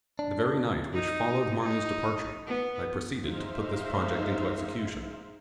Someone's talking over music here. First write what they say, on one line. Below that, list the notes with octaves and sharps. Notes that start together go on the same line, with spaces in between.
The very night which followed Marnoo's departure, I proceeded to put this project into execution.
D4
D#4
D#4
B3
G#3 D#4 C5 E5 F5